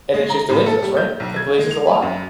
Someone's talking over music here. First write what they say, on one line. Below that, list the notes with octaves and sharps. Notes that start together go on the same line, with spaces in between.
and it just delays us, right? It delays us a lot,
G#3
A#5
A2
A4
G3
G6
B1
G#6
G#3
F7
B5
F#2